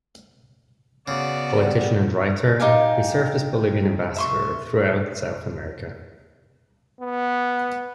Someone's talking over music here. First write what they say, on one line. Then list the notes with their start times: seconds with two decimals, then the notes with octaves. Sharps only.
Politician and writer, he served as Bolivian ambassador throughout South America.
1.08 C#3 B3 F#4 D5
1.55 G3
2.60 D#4 G4 F5 G#5
4.16 E5 C6 C#6
7.01 B3